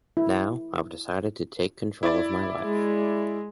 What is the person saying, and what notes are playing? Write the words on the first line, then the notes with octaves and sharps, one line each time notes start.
Now, I've decided to take control of my life.
E4
E4 D5
G#3